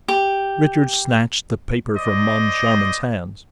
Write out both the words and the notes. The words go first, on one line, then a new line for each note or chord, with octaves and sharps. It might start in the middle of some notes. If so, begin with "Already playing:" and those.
Richard snatched the paper from Moncharmin's hands.
G4
C5 D5 D#5